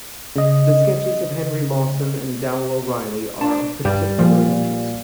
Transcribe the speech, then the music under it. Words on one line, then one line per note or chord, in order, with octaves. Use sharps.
The sketches of Henry Lawson and Dowell O'Reilly are of particular interest.
C#3 D#5
D4
G2 G3
A#2 F3